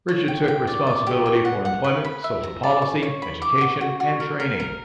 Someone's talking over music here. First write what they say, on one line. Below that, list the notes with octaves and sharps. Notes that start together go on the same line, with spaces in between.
Richard took responsibility for Employment, Social Policy, Education and Training.
C#5
G5
G5
D5
D5
G4
C#5
F#5
F#5
B4
B5
E5
A#5
D5
C#6
C#5
B5
D6
F#4
F#4
F#4
A#4
A#4
A#4